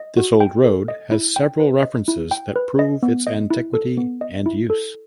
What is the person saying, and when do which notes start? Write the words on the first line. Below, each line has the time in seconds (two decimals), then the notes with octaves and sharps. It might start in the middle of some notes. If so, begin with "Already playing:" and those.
This old road has several references that prove its antiquity and use.
Already playing: D#5
0.17 F#4
0.40 G5
0.64 A4
0.88 D#5
1.11 E4
1.36 G5
1.60 B4
1.83 D#5
2.08 E4
2.31 G5
2.56 B4
2.79 D#5
3.03 B3
3.27 D#5
3.50 E4
3.74 A4
3.97 B3
4.21 D#5
4.46 E4
4.70 A4